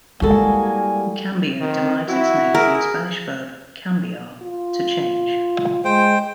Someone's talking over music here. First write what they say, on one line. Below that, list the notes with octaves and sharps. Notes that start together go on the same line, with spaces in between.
Cambia derives its name from the Spanish verb "cambiar", to change.
G3 G#3 A#3 E4 F#4 G#4 A4 G#5
D#3 C4
E4 F#4
G#4 A#4
F4
G#3 C5 G5